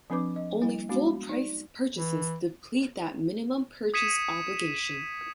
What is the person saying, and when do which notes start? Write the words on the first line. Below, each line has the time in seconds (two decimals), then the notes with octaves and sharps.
Only full price purchases deplete that minimum purchase obligation.
0.10 F3 C4 D4 B4 D6
0.36 D#5
0.62 G3 A#3 E4
0.89 G#3 B3 D4 F#4
1.29 D#4 D5
1.96 E3
3.94 D#6 G#6 B6 C#7 D#7 E7